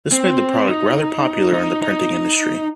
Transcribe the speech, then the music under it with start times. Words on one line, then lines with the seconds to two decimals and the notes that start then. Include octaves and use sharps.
This made the product rather popular in the printing industry.
0.12 C4
0.69 D#4
1.53 D#4
1.82 D#4